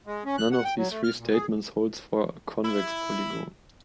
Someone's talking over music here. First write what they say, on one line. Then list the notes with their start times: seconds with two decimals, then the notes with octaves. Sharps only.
None of these three statements holds for a convex polygon.
0.07 G#3
0.25 C#4
0.38 F#6
0.51 F#5
0.64 G5
0.77 F#3
0.91 A3
1.04 F6
1.18 A#2
1.33 G#4
2.65 E4